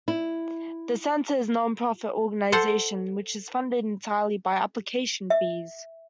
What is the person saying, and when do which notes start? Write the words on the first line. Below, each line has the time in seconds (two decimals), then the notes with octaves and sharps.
The Centre is a non-profit organisation which is funded entirely by application fees.
0.08 E4
2.52 A4 C5 F#5
5.30 E5